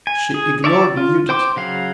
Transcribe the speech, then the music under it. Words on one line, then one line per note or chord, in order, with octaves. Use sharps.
She ignored nudity.
G#5
G#4
C#5 D5 E5 A5
F4
C5 G5 C6 D6
C#3 F#3 F5